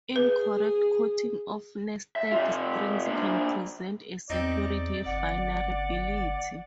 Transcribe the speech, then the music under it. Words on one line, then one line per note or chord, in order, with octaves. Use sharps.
Incorrect quoting of nested strings can present a security vulnerability.
G#4 B4
E5
C3 F4
A#3 D4
E2 C4 D#4 D5
G1 F#5